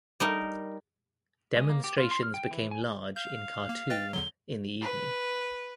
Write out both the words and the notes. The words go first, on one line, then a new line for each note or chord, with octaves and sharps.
Demonstrations became large in Khartoum in the evening.
G3 D#4 A#4
G#3
A#3
G4
F4
C6
F6
G5
E3
G#5
F5 G6
A#3
B4 D#5 G5 A6
E2 D3 F#3 G7
B4